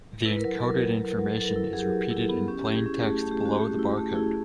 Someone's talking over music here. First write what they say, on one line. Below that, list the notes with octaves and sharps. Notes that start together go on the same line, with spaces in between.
The encoded information is repeated in plain text below the barcode.
E4 B4
A#4
F#3
A4
F#3 A#4
F#3
F#3
F#3
F#3 A4
A#4
A4
E4
A4
F#3 G#4
G4
F#3
E4
B3
C#4 G4
E4 G4
G#4
C#4
A3 G#4
G4
A3
G4
C#4 F#4
A3 G4
E4
A3
E4 G#4